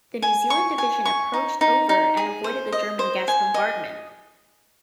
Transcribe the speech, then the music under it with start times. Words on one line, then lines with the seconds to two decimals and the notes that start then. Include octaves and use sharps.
The New Zealand Division approached over and avoided the German gas bombardment.
0.22 G#5
0.50 C#6
0.78 G#5
1.05 C#6
1.34 D#4
1.61 D#4
1.89 D#4
2.17 G#4
2.44 C5
2.72 D#5
2.99 C5
3.28 G#5
3.54 D#5